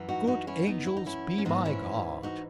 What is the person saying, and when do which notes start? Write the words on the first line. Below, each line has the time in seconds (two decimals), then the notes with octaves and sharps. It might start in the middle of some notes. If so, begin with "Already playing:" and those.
Good angels be my guard!
Already playing: F#2 E3
0.09 D#4 F#4
0.27 D#4 F#4
0.47 C#4 E4
0.67 B3 D#4
0.87 E4
0.97 D#4
1.06 C#4 E4
1.38 C#4
1.45 G#2 E3 B3 D#4
1.65 C#4 E4
2.23 D#4 F#4